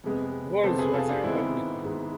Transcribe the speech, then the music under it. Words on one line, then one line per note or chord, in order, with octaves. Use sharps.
Volz was an Republican.
F2 C3 G#3 B3
F2 C3 G#3 B3 A4 C5
G#4 B4
F4 A4
D4 F4
G#1 G#2 G#3 B3 C4 E4
G#1 G#2 G#3 B3